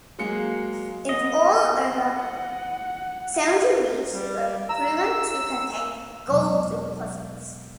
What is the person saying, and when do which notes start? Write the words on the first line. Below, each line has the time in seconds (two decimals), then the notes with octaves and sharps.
In all, over seventy reefs were proven to contain gold deposits.
0.19 F#3 G#3 A#3 C#7
1.09 B3 D#5
2.13 F#5
4.13 G3
4.69 A#5 E6 E7
6.28 E1 F#3